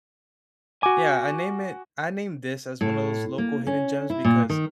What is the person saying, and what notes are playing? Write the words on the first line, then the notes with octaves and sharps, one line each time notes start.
yeah, I name it I named this as one of those local hidden gems because
F#4 G#5 D6
A2
A#3
C#4
E4
A#2
D#3